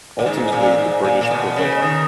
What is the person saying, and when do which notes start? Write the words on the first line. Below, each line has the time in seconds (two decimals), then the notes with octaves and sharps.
Ultimately, the British prevailed.
0.19 A#2
0.26 G#2
0.52 A#2
0.78 G#2
1.04 A#2
1.21 A#2
1.31 B2
1.56 C#3
1.82 D#3